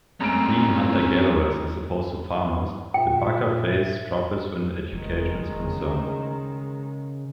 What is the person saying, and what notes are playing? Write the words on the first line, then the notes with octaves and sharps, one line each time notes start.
Being hunter-gatherers as opposed to farmers, the Baka face troubles when education is concerned.
F#2 G#3 A3 C4 C#4 A#4 A#5 D7
A#2 E5 G5
F1 D#3 G#3
C#3